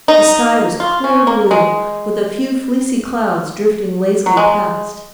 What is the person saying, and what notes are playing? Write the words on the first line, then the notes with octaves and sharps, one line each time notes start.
The sky was clear blue, with a few fleecy clouds drifting lazily past.
D#4
F4
C#4
A#3
G#3
F#3
G#3